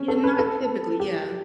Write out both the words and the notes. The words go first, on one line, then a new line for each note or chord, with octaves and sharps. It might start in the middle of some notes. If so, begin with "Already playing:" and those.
Yeah, not typically, yeah.
Already playing: C#4
A4
B4
A4
G4